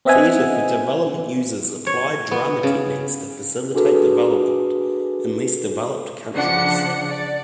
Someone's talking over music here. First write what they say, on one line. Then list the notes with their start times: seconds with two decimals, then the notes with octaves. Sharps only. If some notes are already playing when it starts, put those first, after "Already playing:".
Theatre for Development uses Applied Drama techniques to facilitate development in less developed countries.
0.05 B3 C4 D#5 E5 F#5 G#5
1.87 C#5
2.31 B3
2.63 C#3
3.75 D4 F#4 G#4 A4 B4
6.34 C#3 F3 D4 F#5 C#7
7.09 D5